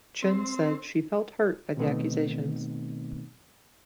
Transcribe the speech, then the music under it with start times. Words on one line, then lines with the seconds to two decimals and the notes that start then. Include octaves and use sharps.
Chen said she felt "hurt" by the accusations.
0.22 C4
1.77 B2 D#3 A3 B3 C4 D#4